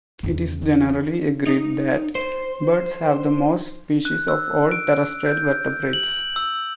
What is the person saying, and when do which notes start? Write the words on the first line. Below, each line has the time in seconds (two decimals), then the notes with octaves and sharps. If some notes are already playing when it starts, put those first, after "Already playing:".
It is generally agreed that birds have the most species of all terrestrial vertebrates.
0.23 E2 C#3
1.47 D#4
2.15 C5
4.05 F#6
4.28 E6
4.71 D7
5.26 G6
5.93 F#7
6.36 E6